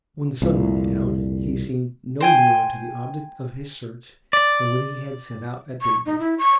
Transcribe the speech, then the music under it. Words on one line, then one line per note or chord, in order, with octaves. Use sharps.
When the sun went down he seemed no nearer to the object of his search than when he had set out at daybreak.
C2 F2 A#2
C5 G5 G#5
D5
C#6
D#4
E4
C#6